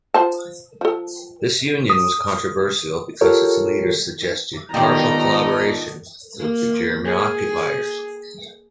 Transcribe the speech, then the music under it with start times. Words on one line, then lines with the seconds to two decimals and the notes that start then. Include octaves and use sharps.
This Union was controversial because its leaders suggested partial collaboration with the German occupiers.
0.14 F4 C5 A5
0.81 F3 A4
1.90 D#6
3.21 F4 G4 A4 A#4 C#5
4.74 D#3 A3 B3 F4 G4 D5 D#5 A#5
6.39 A#3
7.05 G#4